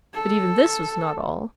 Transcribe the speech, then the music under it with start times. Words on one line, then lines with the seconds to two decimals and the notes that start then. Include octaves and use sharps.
But even this was not all.
0.14 A4